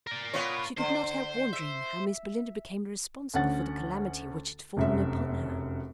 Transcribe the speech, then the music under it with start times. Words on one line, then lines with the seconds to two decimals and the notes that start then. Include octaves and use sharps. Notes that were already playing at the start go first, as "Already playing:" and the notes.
She could not help wondering how Miss Belinda became responsible for the calamity which had fallen upon her.
0.07 A#4 D5
0.33 B3 F4 C#5
0.78 D3 C5
1.53 E5
3.34 D2 C#4 F#5 A6
4.77 F1 F#2 E5